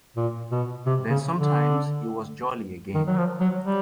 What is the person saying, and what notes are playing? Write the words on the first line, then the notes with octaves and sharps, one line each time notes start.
Then sometimes he was jolly again.
A#2
B2
C3
C#3
D3
D#3
F#3
F3
F#3
G3